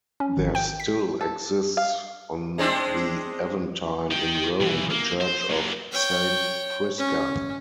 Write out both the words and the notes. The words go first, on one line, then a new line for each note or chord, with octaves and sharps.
There still exists on the Aventine in Rome a church of Saint Prisca.
C#4
G#1
G5
B6
A4
F5
G#3 C4 D4
D#4 G5
B1 E3
A#3
C5
F#3 A#3
C#5 G5
C#4